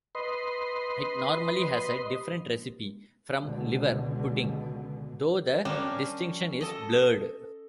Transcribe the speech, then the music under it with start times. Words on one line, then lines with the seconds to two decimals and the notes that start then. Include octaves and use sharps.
It normally has a different recipe from liver pudding, though the distinction is blurred.
0.15 B4 D#5 C6
3.40 C#2 B2 D3
5.65 G3 C#4 D4 A#4 G#5 A5
6.61 A4 D#5